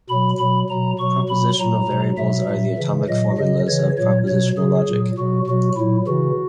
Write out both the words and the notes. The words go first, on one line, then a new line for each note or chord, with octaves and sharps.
Propositional variables are the atomic formulas of propositional logic.
B2 F#3 B5
B2 F#3 B5
B2 F#3 A#5
B2 F#3 C#6
B2 F#3 B5
A#2 F#3 A#5
B2 F#3
B2 F#3 E5
A#2 F#3
C#3 E3
A#2 F#3 D#5
C#3 F#3 D#5
C#3 E3 C#5
A#2 F#3 C#5
B2 F#3 C#5
C#3 F#3 G#4
A#2 F#3
B2 F#3 F#4
B2 F#3 F#4
A#2 F#3 E4
C#3 E3 F#4